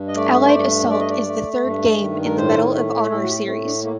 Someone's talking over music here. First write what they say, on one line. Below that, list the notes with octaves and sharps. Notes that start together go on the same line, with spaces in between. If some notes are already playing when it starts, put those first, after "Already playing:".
"Allied Assault" is the third game in the "Medal of Honor" series.
Already playing: G2
D#5
A3 D5
C5
G2 D5
A3 D5
D#5
D5
A3
G2
D#3
A#4
A2 C5
A3
A2 A4
F#4
G4
A3 C4
D4
A3 A#3